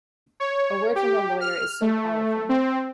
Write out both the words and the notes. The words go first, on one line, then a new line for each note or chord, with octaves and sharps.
A word from the lawyer is so powerful.
C#5
G4
F6
A3
C4